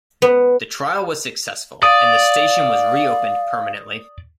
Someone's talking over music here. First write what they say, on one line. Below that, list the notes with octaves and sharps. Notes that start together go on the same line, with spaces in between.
The trial was successful, and the station was reopened permanently.
B3
D5 F5 D#6